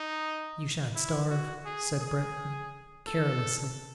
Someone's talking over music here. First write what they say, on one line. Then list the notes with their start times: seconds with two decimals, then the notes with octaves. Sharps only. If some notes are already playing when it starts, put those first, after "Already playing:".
"You shan't starve," said Breton, carelessly.
Already playing: D#4
0.95 E4
1.30 F#4
1.65 G#4
2.00 G#4
3.07 A4